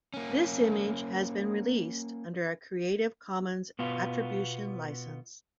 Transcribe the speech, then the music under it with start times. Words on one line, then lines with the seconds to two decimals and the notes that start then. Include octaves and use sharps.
This image has been released under a creative commons attribution license.
0.14 A#3 C#4
3.79 B2 B3 F4